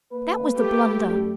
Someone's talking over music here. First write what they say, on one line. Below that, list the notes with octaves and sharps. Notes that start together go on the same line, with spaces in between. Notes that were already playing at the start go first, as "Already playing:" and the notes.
That was the blunder.'
A#3 B4
A3 G4
F#2 G3